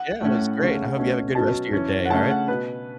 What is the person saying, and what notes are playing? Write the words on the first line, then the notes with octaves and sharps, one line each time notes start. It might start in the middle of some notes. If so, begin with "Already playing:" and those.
Yeah, it was great, and I hope you have a good rest of your day, alright?
Already playing: F#5
A2 A3 C#4
C#3 A3 C#4
B2 A3 C#4
B2 F#3 C#4 A5
E3 C#4
F#5
C#3 A3 C#4 A5
F#5
B2 B3 B4